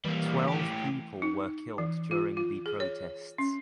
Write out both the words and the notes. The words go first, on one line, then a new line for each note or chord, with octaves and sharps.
Twelve people were killed during the protests.
E3 G3 A#3
A2 G4
D#4
E3
F4
F4
G#4
C#5
C#4